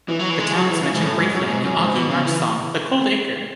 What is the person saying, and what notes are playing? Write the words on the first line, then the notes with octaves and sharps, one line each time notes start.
The town is mentioned briefly in the Augie March song The Cold Acre.
E3
F#3
E3
G#3
F#3
E3
C#3
G#2
A2
G#2
F#2
G#2
F#2
G#2
B2
C#3
E3